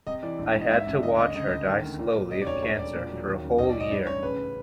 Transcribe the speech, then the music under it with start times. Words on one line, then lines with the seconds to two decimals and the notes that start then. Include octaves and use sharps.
I had to watch her die slowly of cancer for a whole year.
0.07 C3 D#5
0.23 E3 D5
0.39 A#1
0.55 G#2
0.61 D#5
0.70 G#2 E5
0.87 A1
1.03 D2 D#5
1.19 D2 D#5
1.35 C#2 D#5
1.51 C#2
1.67 D#3
1.82 D2
1.99 A#2
2.14 F#3
2.31 C#3 D#5
2.41 D5
2.47 F1 C#5
2.63 E1 C#5
2.79 E1 D5
2.95 A#2
3.11 F#3
3.27 D#2
3.43 C#3
3.58 B1 D#5
3.69 D5
3.75 F#3
3.80 D#5
3.90 G2 D5
4.07 A1 C#5
4.23 C#3 B4